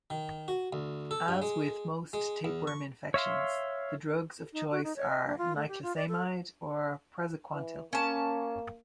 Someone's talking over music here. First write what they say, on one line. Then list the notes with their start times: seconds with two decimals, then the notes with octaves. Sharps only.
As with most tapeworm infections, the drugs of choice are niclosamide or praziquantel.
0.10 D#3
0.48 F#4
0.73 D2
1.11 A4
1.28 G2
1.42 G#3
2.13 G#3
2.45 E2
2.67 C#6
3.14 C#5 E5 F5 C6
4.53 D#4
4.71 F#4
4.84 D#4
4.96 C#5
5.09 D#5
5.27 D4
5.38 F4
5.56 A3
5.68 G4
5.83 F4
5.96 D5
6.09 A4
7.53 E3
7.93 A#3 C#4 A5